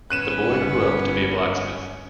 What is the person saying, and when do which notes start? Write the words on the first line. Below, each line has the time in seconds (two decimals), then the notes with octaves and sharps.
The boy grew up to be a blacksmith.
0.10 G1 B3 C#4 F#6 D#7 E7